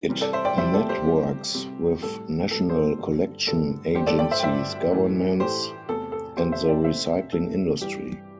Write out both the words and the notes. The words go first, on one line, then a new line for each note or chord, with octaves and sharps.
It networks with national collection agencies, governments, and the recycling industry.
C3 E3 G3
A4 D5
C5 E5
D5 G5
C3 E3 G3 C5 E5
A4 D5
G4 C5
C3 G3
C3 G3 G4
A2 G3 A4
A2 G3 A4
C5
A4
G2 D3 G3
G2 D3 G3 A4
G2 D3 A3 G4 C5
A4 D5
D5 G5
C5 E5
G5
G2 D3 A3 C5 E5
A2 E3 A3
A2 E3 A3 G4 C5
E2 C3 A3 A4
A4
E2 C3 A3 G4 C5
C5 E5
D5 G5
C3 A3 C5 E5
C3 A3 A4
G2 E3 G3 G4